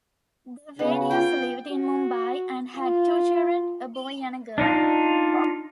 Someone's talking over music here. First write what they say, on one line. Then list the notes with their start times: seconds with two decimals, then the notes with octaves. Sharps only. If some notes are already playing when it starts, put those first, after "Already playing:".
The Wadias lived in Mumbai and had two children, a boy and a girl.
0.79 C#3 B3
1.11 F4 G5
1.71 F#4
2.75 F4
4.58 D4 D#4 F4